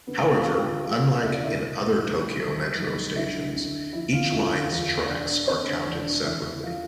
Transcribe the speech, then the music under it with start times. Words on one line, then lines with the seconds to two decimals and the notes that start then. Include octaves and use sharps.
However, unlike in other Tokyo Metro stations, each line's tracks are counted separately.
0.07 D3 B3 B4
0.27 G5
0.33 F4 F5
0.46 D2
0.59 G4 G5
0.85 F3 F4 F5
1.23 D2 E5
1.33 D5
1.44 E4 E5
1.61 B2
2.01 B1
2.39 G3
2.78 B1
3.16 D3 E4 E5
3.54 D2
3.93 F3 E4 E5
4.12 F4 F5
4.32 D2 E4 E5
4.51 F4 F5
4.70 E2
5.08 E1 D4 D5
5.48 D3 C4 C5
5.86 E1 D4 D5
6.24 E2 E4 E5
6.63 F3 F4 F5